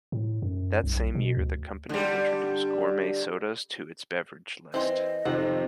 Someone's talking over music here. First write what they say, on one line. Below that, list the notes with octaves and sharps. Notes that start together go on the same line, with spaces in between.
That same year, the company introduced gourmet sodas to its beverage list.
A2
F#2
B1
B2
D2
D3 G3
E3 C4 C5 D#5
F2 C3 D#3 C4 F#5